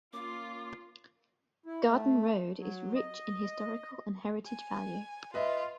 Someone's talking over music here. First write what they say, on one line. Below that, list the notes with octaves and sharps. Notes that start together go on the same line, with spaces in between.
Garden Road is rich in historical and heritage value.
A#3 C#4 F4 D6
E4
A3
F#3
D#5
G#5
F4 B4 D#5 E5